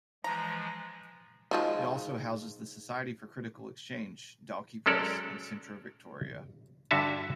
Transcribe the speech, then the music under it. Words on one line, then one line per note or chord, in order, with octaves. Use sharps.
It also houses the Society for Critical Exchange, Dalkey Press and Centro Victoria.
E3 F3 G#3 A#5
D#3 F3 G#3
F#3 G#3 C#4 A4 A#4 D5
G2 D3 F#4 E5 A5